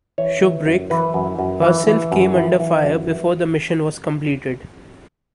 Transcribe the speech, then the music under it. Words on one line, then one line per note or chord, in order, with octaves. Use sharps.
"Shubrick" herself came under fire before the mission was completed.
E3 C#5
E3
F#2
E3 B4
F#2
F#2
E3
E3
F#2
E3
E3
F#2
E3